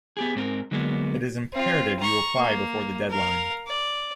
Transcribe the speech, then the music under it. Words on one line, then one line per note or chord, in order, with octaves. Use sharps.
It is imperative you apply before the deadline.
B3 G4 G#4
G#2 C4 A4 A#4
D3 F#3 G#3 A#3 B3
C4 F4
A#5 C#6
A#3
A#4 F5
D5